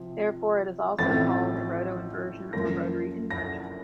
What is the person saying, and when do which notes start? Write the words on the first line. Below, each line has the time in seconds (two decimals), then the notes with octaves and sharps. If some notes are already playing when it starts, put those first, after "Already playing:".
Therefore it is also called a rotoinversion or rotary inversion.
Already playing: C3 F3 C4
0.98 A1 A2 F3 C4 A6
2.53 F#2 F3 A#3 A#6
3.30 A#6